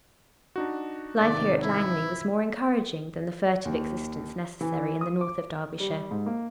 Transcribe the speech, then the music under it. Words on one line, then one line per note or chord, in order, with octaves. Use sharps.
Life here at Langley was more encouraging than the furtive existence necessary in the north of Derbyshire.
D4 D#4 F#4
G#1 C3 D#3 D5
E4
D#2
E3
D#6
D6
G3
G#2
A#3